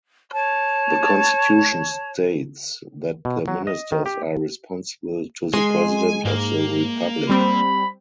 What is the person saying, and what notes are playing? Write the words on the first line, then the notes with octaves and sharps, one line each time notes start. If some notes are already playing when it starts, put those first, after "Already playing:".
The constitution states that the ministers are responsible to the president of the republic.
C#5 A5
B2
F#3
D#5
D#3
G4
G#3 G#5 C6
G#2 A#3
G3 C4 B5